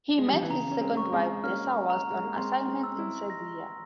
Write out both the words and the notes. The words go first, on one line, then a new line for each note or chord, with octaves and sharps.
He met his second wife, Desa, whilst on assignment in Serbia.
G#3
G3
F3
E3
C#3 A#5
C#4
G#3 C4
C#6
G#3 C4
A#3 C#4 F6
A#5
G#3
A#3
G#3 C4 C6
G#3 C4
E6
C4 E4
A#6